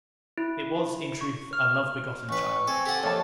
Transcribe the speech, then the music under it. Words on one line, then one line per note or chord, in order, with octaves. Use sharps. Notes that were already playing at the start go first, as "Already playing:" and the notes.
It was, in truth, a love-begotten child!
E4
C#6
F6
A1 B4 C#6
C4 A4 G#5
G4 A4 F#5
F2 A3 A#3 G4 C#5 A5